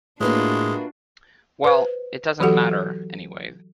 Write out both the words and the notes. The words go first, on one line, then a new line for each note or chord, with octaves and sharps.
Well, it doesn't matter, anyway.
A2 G#3 A#3 D4 F4 F#4 B4 E5
B4 C5
E3 F#3 F#4 G4 A4 F#5